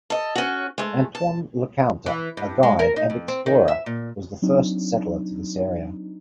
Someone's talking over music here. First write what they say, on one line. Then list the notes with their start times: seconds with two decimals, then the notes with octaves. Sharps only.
Antoine LeCounte, a guide and explorer, was the first settler to this area.
0.10 A4 D#5
0.35 C#4 F#4
0.78 G#3 A3
1.15 A5
2.06 E3
2.37 G2
2.63 G#3
2.79 A#4
2.96 D#4
3.10 F2
3.28 C4
3.46 D#3
3.68 E5
3.86 A#2
4.42 F#3 C4 D4 D#4